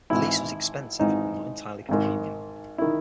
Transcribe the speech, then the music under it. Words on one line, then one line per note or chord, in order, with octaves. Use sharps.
The lease was expensive and not entirely convenient.
G#1 G#2 E3 E4
G#1 G#2 E3 D#4
G#1 G#2 D#3
D#3 E4